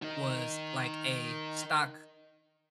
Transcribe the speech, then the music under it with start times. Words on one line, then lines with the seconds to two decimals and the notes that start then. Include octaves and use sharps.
was like a stock
0.02 D#3 D#4